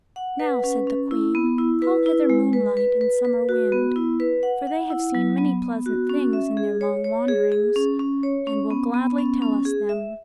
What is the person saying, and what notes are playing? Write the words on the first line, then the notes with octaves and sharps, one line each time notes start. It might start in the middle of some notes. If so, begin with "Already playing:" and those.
"Now," said the Queen, "call hither Moon-light and Summer-Wind, for they have seen many pleasant things in their long wanderings, and will gladly tell us them."
F#5
B4
C#4
C#4
E4
B3
E4
B4
E4
G#3
B4
B4
B4
B4
F#4
B3
E4
B4
F#5
F#5
E4
F#3
B3
B3
F#4
C#4
E5
G#4
C#5
C#5
G#4
G#4
C#4
C#4
C#5
C#4
B3
B3
C#4
C#4
G#4
E5